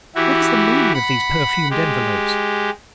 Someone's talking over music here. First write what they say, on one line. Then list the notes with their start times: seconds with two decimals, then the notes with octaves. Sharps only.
What is the meaning of these perfumed envelopes?
0.15 E3 E4 F#4 G4
0.94 F#5 B5
1.70 G#3 G4